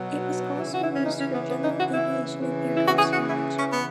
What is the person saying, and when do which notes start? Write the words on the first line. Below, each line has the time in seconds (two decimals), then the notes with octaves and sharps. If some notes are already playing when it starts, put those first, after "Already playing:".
It was also used for general aviation and aircraft storage.
Already playing: B2 F#3
0.60 C#3 E3 E4
0.72 F#4
0.82 E4
0.96 C#4
1.06 D#4
1.20 C#4
1.34 B3
1.50 B3
1.64 D#4
1.79 F#4
1.94 E4
2.39 C#3 E3
2.76 E4
2.84 F#4
2.98 G#4
3.13 F#4
3.28 E4
3.57 C#4
3.73 B3